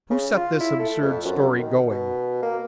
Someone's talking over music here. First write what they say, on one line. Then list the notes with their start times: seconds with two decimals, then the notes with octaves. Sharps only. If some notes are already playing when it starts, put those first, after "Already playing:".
"Who set this absurd story going?"
0.10 C#3
0.36 F4
0.60 E4
0.79 A3
1.02 F2
1.25 F#2
1.59 D#3
1.90 B2
2.43 A#3